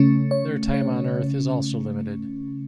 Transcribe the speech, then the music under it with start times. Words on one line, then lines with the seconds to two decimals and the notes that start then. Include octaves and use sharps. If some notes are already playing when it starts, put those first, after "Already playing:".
Their time on Earth is also limited.
Already playing: C#3 A3 C#4
0.31 C#5
0.74 C#5